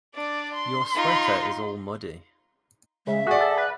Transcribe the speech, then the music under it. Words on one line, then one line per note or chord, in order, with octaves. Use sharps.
Your sweater is all muddy.
D4 D5
C6
D#4 F4
C#3 G#3 E5
F#4 G#4 D5 F#5
A4
B4